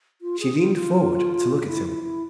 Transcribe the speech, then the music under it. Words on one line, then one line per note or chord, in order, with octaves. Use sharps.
She leaned forward to look at him.
F4
G#4
F4
F4
D4
E4
E4
E4